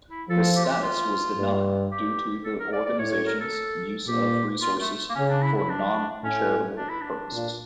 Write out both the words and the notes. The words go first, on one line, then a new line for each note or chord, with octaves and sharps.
This status was denied due to the organization's use of resources for non-charitable purposes.
E4
F3 A4
G4
F4
G4
F4
G2
G4
A4
A#4
D5
D5
A2 C#5
C#5
A#4
A4
A#2 G4
F4
A3
A#3
C#3 C#4
D4
E4
E4
D4
A2 C#4
D4
E4
D4
A#2